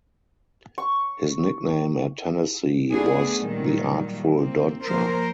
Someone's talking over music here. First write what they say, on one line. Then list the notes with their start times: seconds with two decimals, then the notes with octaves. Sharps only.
His nickname at Tennessee was the artful dodger.
0.78 C#6
2.91 A3 B3 D4 G#4
3.39 A#2 D#3 F#3 G3
4.35 A#3 C4
4.83 F3 A#3 A#4 C5